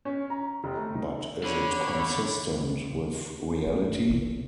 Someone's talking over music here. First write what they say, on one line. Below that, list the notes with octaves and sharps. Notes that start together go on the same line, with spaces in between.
But is it consistent with reality?
C#4
A#5
F1
A3
D#4
D3 C#5 B5
F1 A3
B1 E3